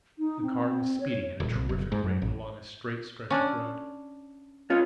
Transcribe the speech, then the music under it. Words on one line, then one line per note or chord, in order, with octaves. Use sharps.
The car was speeding at a terrific rate along a straight stretch of road.
D#4
C4
C#5
D#1
C2
F#1
G#2
F#2
A1
C#4 D4
C#4 F4